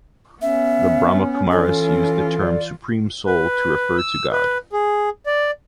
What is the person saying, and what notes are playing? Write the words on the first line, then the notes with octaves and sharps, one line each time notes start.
The Brahma Kumaris use the term "Supreme Soul" to refer to God.
B3 C#4 E5
E3 F4 A4
D5
B4
E6
B4
G#4
D5